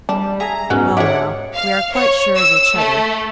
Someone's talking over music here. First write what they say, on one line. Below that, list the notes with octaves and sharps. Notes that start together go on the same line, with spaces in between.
'Well now, we are quite sure of each other.
G3 D4 A5
G#4 E5 G#5 A#5
G#2 F#3 G#3 B3 C#4
G#3 G#4 C#5 D5 E5 F#5 D6
F5
C#5
E6
A3